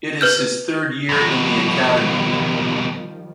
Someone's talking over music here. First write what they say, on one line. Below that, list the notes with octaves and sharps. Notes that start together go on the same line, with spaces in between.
It is his third year in the academy.
B4 F6 G6
D#2 B2 D#3 F3 G3